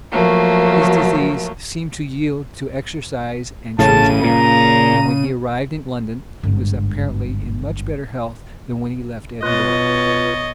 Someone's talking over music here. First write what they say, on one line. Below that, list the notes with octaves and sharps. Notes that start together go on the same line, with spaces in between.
His disease seemed to yield to exercise and change of air; and when he arrived in London, he was apparently in much better health than when he left Edinburgh.
F3 F#3 A3 A#3
A1 A2 C#3 A5 D#7
A#2 A#5
G1 G#2
B2 F4 B4 C#5 D#5 A6